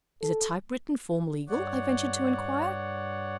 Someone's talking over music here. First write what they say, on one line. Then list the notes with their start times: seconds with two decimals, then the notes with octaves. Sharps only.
'Is a typewritten form legal?' I ventured to inquire.
0.22 A4
1.49 G2 C#5 D5 F#5